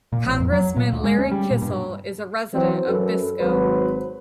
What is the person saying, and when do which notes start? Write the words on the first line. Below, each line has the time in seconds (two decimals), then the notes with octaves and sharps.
Congressman Larry Kissell is a resident of Biscoe.
0.12 A#2
0.26 A1
0.40 F2
0.52 F#3
0.77 A#2
0.93 D2
1.04 G#3
1.19 C#4
1.31 G3
1.51 A#2
1.62 G2
2.53 E3 F#3 C4
2.88 F#2 A4 B4
3.39 G#1 F#3 B4 C5